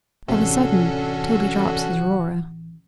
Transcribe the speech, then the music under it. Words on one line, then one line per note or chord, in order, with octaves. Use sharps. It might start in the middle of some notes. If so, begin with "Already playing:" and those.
Of a sudden Toby drops his Aurora.
A1 C3 E3 C#4 D4 F#4 A4